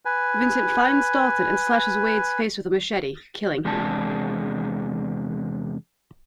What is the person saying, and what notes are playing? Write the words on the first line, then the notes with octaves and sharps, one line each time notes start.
Vincent finds Dalton and slashes Wade's face with a machete, killing him.
B4 G#5
E2 C3 G#3 D4 G#4 A5